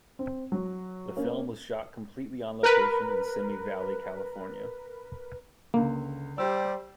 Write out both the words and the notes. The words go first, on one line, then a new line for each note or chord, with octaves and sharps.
The film was shot completely on location in Simi Valley, California.
C4
F#3
A#3 C#4
A#4 B4
C#2 D3 A#3
G3 G4 C5 D5 E6